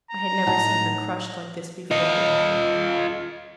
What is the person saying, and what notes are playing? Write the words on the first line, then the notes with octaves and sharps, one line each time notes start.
I had never seen her crushed like this before.
A#5
A2 D#4 F#5 A5
F4 D#5